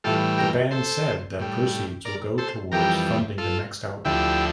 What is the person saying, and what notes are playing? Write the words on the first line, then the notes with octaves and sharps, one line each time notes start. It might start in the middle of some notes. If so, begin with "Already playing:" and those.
The band said that proceeds will go towards funding the next album.
A2 E3 G3 F4 A4
G4 A#4
A4 C5
A2 G3
A#4 D5
A4 C5
F2 E3 G3 G4 A#4
F4 A4
D2 D3 F3 E4 G4